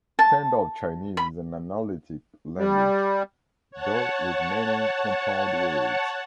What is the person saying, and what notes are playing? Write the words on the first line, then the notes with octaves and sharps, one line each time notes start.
Standard Chinese is an analytic language, though with many compound words.
A5
B5
G3
C#5 F#5 A5